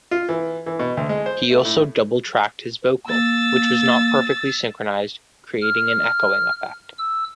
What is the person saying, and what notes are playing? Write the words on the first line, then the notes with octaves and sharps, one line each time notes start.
He also double-tracked his vocal, which was not perfectly synchronised, creating an echoing effect.
F4
E3
E3
B2
D2
G#3
C5
A3
A2
A#3 E6 A6
F6
E6